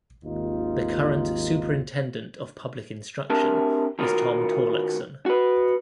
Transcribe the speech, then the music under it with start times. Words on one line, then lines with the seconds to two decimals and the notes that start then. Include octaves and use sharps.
The current Superintendent of Public Instruction is Tom Torlakson.
0.24 G#1 D#2 D#4 F4
3.30 C4 D4 G4 A#4 E5 A5
3.99 D#3 B3 F4 F#4 A#4
5.26 F#4 B4